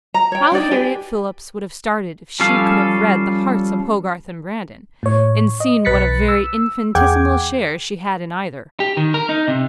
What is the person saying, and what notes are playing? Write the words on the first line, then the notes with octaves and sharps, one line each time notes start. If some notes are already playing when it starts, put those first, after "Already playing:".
How Harriett Phillips would have started if she could have read the hearts of Hogarth and Brandon, and seen what a very infinitesimal share she had in either.
A#5
C#5 G5
D4 D#4 D5 G5
G4 B4 G5 G#5
F3 G3 C#4 A4 F5
A2 C#5
D#5
B1 B4 F#6 A6 B6 C#7
E6
E2 G#4 F#5 G5 D6 G#6
G4
D#3
A#4
D#4
C3